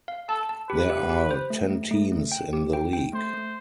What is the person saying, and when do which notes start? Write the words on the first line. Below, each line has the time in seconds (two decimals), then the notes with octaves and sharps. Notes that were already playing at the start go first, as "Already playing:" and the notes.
There are ten teams in the league.
0.08 F5
0.29 A4 A5
0.49 A5
0.69 G4 B4
0.90 G4
1.10 G4
1.31 C5
1.50 A3
1.70 A3
1.91 A3
2.12 A3
2.32 G5
2.53 G4
2.73 G5
2.93 G5
3.13 A3 C5
3.34 A3